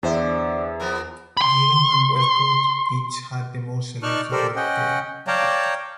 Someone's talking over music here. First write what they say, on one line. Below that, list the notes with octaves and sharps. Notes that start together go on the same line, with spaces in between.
Geelong and West Coast each had the most selections with four.
E2 D3 C5 E5
F3 B3 A#4
B5 C6
D#4 D5 A5 C#6 F6 F#6
G4 A4 A#4 C5 D5
C#4 D#5 F#5 G5
C#5 D5 F5 G5 A5 A#5